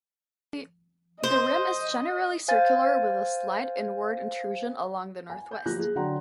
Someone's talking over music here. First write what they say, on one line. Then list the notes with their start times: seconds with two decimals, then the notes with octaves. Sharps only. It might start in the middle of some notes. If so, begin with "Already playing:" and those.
The rim is generally circular, with a slight inward intrusion along the northwest.
1.24 C5 D#5
2.48 C5 F5 G#5 G6 A6
5.30 G#5
5.51 G6
5.66 F3 F#3 A#3 G4 F#6 A#6
5.79 G#4
5.95 D3 F#3 F#5 G5 A#5 C6